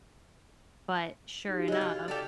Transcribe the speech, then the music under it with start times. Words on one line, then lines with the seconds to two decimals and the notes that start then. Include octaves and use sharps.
but sure enough
1.48 D#4 F#4 G4
1.68 G#3 E4 C#5 F#6 G#6
1.81 F4
2.08 G4 A4 D5